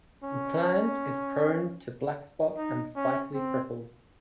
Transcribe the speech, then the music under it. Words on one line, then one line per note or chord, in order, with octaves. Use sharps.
The plant is prone tp blackspot and spiky prickles.
C#4
D#4
C#4
C4